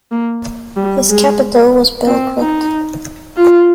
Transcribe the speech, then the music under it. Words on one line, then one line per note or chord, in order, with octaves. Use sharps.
His capital was Belgrade.
A#3
G3
G#3
C4
D#4
F4